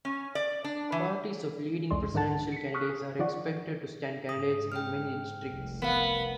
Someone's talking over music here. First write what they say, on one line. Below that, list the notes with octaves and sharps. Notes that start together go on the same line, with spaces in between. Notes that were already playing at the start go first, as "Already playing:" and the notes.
Parties of leading presidential candidates are expected to stand candidates in many districts.
C#4
D5
D4
E3
C2 F2 G#3 D5 C6
G#2 D#3 D5 F#5 A5 A6
B6 C#7
C#6 D#6 F6 F#6 B6
G#4
D#3 F3 D5 F#5 C#6
G#2 D#6
G5 F6
F1 C2
B3 A#4 F5